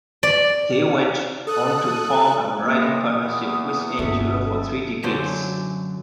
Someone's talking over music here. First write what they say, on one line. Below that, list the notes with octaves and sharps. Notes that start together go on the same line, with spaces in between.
They went on to form a writing partnership which endured for three decades.
D5
A4 D#6 F#6
B1 A2 E3 A#3 D#6
E2
G1 C#4 A4 E5
A4
F#2 D3 F#3 C5